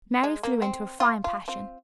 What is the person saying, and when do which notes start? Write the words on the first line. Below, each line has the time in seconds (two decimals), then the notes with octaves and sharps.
Mary flew into a fine passion.
0.23 G#3
0.43 A#3
0.62 C4
1.00 F4
1.24 F4
1.48 C4 F4